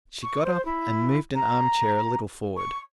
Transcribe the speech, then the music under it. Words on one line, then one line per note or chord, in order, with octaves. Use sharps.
She got up and moved an arm-chair a little forward.
C#6
C5
E4
A#5
C#6